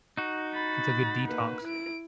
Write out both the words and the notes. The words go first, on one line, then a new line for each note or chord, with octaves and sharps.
it's a good detox.
D#4 F#4
B5 A6
A#3 B4
E4 D7